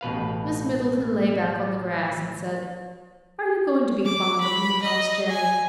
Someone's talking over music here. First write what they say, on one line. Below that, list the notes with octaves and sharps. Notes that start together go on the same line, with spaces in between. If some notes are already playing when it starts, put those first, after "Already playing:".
Miss Middleton lay back on the grass and said: "Are you going to be fond of me, Crossjay?"
A1 B2 B4 F5
D6
B5
D#5
G#5